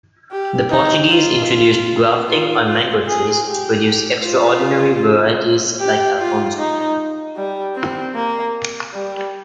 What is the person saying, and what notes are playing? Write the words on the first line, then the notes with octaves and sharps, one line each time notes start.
The Portuguese introduced grafting on mango trees to produce extraordinary varieties like Alphonso.
G4
D#4
F4
F4
F4
G#4
G4
F4
G4
F4
D#4
G3
C4
A#3
G3